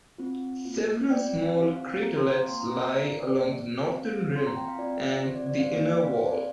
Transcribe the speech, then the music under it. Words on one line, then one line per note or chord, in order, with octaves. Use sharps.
Several small craterlets lie along the northern rim and the inner wall.
C4 F4
A#3 F4
C4 F4 D5 G5
C4 G4 C5 F5
C4 F4 A#5
C6
F5 A#5
A#3 F4 G5 C6
F5 A#5
F5 A#5
C5
C4 F4 D5
A#3 G4
C4 G4 C5 F5
C4 F4 C6
A#5
G5
F5
C4 F4 D5
C4 G4 C5
D5
D5
C5 F5
A#3 G4 D5
D5
C5 F5
C4 G4 C5 F5
D5